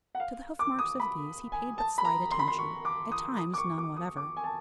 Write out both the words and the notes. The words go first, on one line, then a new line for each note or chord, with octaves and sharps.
To the hoof-marks of these he paid but slight attention; at times, none whatever.
F#5
F5
D6
D#6
B5
G#5
A5
B5
A#5
C6
B5
C6
C#6
D6
D#6
D#6
D6
C#6
D6
D#6
D6
G#5
A5